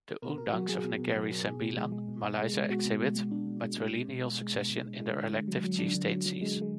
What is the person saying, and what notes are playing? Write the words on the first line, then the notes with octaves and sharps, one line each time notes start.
The Undangs of Negeri Sembilan, Malaysia exhibit matrilineal succession in their elective chieftaincies.
B2 A#4
B2 A#4
F#3 F#4
F#3 G#4
B2
B2
F#3
F#3
B2 G#4
B2
G#3
G#3
B2
B2
G#3
G#3
B2 F#4
B2
G#3
G#3
B2 D4
B2
G#3
G#3
B2
B2
G#3
G#3
B2
B2
G#3
G#3
D3
D3
F#3
F#3
D3 D4
D3
F#3
F#3
D3 G#3
D3 G#3